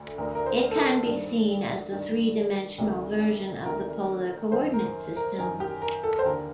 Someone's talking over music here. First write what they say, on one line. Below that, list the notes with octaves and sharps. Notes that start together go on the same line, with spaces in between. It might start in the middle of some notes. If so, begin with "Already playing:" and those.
It can be seen as the three-dimensional version of the polar coordinate system.
Already playing: D2 D3
D2 D3 A#4
A#4
C5
A4
A#4
G2 D#3
G2 D#3
D2 C3 D#3
D2 C3 D#3 A#4
F#2 D#3 C5
A#4
A#4
F#2 D#3 A#4
G4
A#4
A4
C5
D#2 D3 A#4